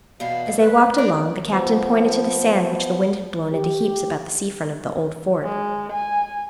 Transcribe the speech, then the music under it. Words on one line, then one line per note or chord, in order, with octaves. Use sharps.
As they walked along the Captain pointed to the sand which the wind had blown into heaps about the sea-front of the old fort.
E2 B2 B3 F5
B4
D4 D#4
F3 B3
G4
G#3
G#5